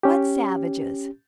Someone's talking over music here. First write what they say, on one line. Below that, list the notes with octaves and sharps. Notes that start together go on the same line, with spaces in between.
"What savages?"
C#4 G4